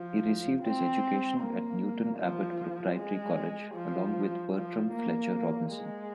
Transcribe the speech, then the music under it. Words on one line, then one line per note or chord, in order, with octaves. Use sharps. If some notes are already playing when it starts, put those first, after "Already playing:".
He received his education at Newton Abbot Proprietary College along with Bertram Fletcher Robinson.
Already playing: F3
C4
A#3
F3
G#3
F3
F3
A#3
G#3